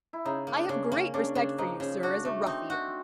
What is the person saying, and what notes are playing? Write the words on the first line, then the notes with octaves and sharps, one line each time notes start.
I have great respect for you, sir, as a ruffian.
E4
C#3 D#4
A#3
D4
C#3
C#4
A#3
C#3 D4
C#3
F3 D#4
C#3
D4 F#4
A3
C4 D#4
F#4